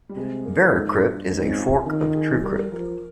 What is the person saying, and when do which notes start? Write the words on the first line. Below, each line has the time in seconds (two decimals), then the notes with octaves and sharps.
VeraCrypt is a fork of TrueCrypt.
0.09 G3
0.16 C3 G#3
0.45 A#3
0.74 G#2
1.02 G2
1.30 G#2 A#3
1.40 C4
1.49 C#4
1.59 F4
1.87 D#3
2.15 G#4
2.43 G3 A#4
2.58 A#4
2.72 F3 A#4